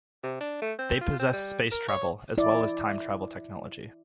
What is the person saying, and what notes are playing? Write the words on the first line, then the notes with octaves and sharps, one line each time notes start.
They possess space travel, as well time travel technology.
C3
D4
A3
C4
F4
C4
G3
A#4
C#5
E4 D5